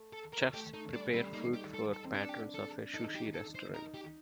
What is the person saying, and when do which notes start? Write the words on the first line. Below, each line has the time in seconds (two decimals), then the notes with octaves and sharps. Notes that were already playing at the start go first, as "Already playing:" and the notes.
Chefs prepare food for patrons of a sushi restaurant.
Already playing: A3
0.13 A4
0.33 A#4
0.54 A3 G4
0.74 A3 D#4
0.93 G3 D4
1.13 G3 C4
1.33 A#3 D#4
1.54 G4
1.74 A4
1.93 A4
2.04 C4
2.14 D4 G4
2.22 A4
2.29 G4
2.54 A4
2.94 D#4 A4
3.15 G4
3.34 A4
3.55 C5
3.74 D#4 A#4
3.94 G4